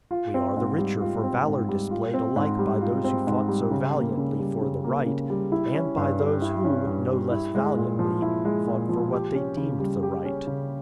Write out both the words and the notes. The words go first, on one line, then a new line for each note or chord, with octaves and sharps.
We are the richer for valor displayed alike by those who fought so valiantly for the right, and by those who, no less valiantly, fought for what they deemed the right.
F4
C4
G#2
G3
F4
C4
G#2
G3
F4
C4
G#2
G3
F4
C4
G#2
G3
C#3
A#3
C#3
G3
C#3
A#3
C#3
G3
E4
C#4
G2
G3
E4
C#4
G2
G3
E4
G#3
A#2
F3
E4
G#3
A#2
F3
G4
C#4
C#3
G3
G4
C#4
C#3